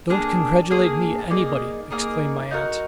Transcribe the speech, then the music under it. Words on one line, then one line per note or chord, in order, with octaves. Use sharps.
'Don't congratulate me, anybody!' exclaimed my aunt.
A#3 D4 G#4
A#3 D4 G#4
A#3 D#4 G#4 D5
A#3 D#4 G#4 D5
D#4 F#4 A#4